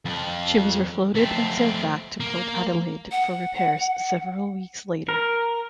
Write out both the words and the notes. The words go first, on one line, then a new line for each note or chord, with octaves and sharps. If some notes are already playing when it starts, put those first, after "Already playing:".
She was refloated and sailed back to Port Adelaide for repairs several weeks later.
F2 F3
A3 C4
A#3
F#5
A#4